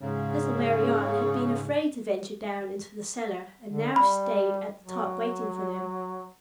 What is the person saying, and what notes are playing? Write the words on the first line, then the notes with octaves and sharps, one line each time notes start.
Little Marianne had been afraid to venture down into the cellar, and now stayed at the top waiting for them.
G#2 C#3
D3
G3 B5
F#3